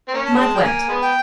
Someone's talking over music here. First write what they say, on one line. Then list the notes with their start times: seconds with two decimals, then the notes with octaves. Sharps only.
Mike went.
0.08 C4
0.14 A#3 C#4
0.26 A5
0.38 G#3
0.55 G5
0.63 A#3 G#5
0.89 G#3 B3
1.02 G5